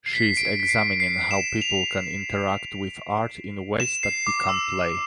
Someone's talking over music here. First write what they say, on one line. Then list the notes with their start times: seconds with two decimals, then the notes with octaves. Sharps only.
She is examining how people can interact with art in ways that become play.
0.06 C7
0.13 B6
0.21 C7
0.37 D7
0.60 B6
0.69 C7
1.00 C7
1.31 E7
1.62 F7
3.80 E7
4.03 C7
4.27 D6
4.49 E6